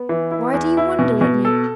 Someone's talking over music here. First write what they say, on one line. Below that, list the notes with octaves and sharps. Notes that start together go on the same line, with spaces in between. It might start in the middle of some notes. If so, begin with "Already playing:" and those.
Why do you wonder at me?
Already playing: B3
E3
E4
E2
E4
B2
B2
A4